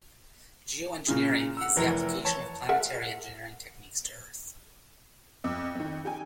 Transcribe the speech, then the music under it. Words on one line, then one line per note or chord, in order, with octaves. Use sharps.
Geoengineering is the application of planetary engineering techniques to Earth.
A#2 C#3 G#4
F#5 E6
F1 E3 A#4 E5
C#5 A5
A#4 E5 F#5
F2 D6 E6
F2 D#3
G4 G5 G#5